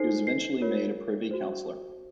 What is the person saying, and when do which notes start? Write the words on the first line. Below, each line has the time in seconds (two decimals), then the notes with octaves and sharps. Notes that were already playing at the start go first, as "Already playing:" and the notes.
He was eventually made a privy councillor.
Already playing: D#4 A4 C5 C7
0.27 C7
0.61 F4 A#4 C#5
1.31 F#4 C5